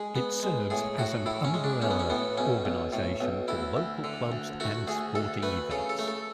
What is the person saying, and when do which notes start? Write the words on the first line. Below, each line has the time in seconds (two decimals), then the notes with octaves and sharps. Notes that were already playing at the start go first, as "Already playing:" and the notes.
It serves as an umbrella organization for local clubs and sporting events.
Already playing: G#3 G#4
0.15 B3
0.43 G#3
0.70 A2 G#4
0.98 A2 F#4
1.26 A2 E4
1.44 C#4
1.54 G#3
1.64 D4
1.82 B1 C#4
1.91 B3
1.99 C#4
2.10 A2 B3
2.38 B1 C#4
2.65 B1
2.93 A2
3.21 B1
3.48 D2 E4
3.77 D2
4.04 D3
4.32 D2
4.60 A3 F#4
4.87 D2 G#4
5.15 D2 A4
5.43 A3 B4
5.71 C#3 A4
5.89 A4
5.99 A3
6.08 A4